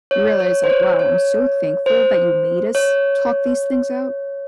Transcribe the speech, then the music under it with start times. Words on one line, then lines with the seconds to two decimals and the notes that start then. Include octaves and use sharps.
you realize like, "Wow, I'm so thankful that you made us talk these things out.
0.11 C#5
0.40 C#5
0.64 C5
0.70 C#5
0.99 C#5
1.86 C5
2.75 C#5